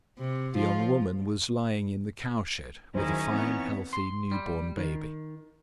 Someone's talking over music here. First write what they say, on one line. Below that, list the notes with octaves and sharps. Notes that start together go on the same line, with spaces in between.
The young woman was lying in the cowshed with a fine, healthy, new-born baby.
C3
F3 F4
C#2 D#3 F#3 C#4 D#4 E4 G#4 C5
E3 B3 C4 C#5
C6
G3
D#3